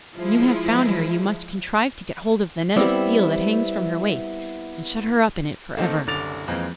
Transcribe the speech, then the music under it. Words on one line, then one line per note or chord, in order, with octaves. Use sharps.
When you have found her you must contrive to get hold of the net of steel that hangs from her waist, and shut her up in it for ever.'
F3 G#3 E4
G3 B3 C4 E4 G4
A3 A#3 C4 D#4 A4
F#1 C2 D3 D6 A6 F7
F2 E3 G#3 A#3 C4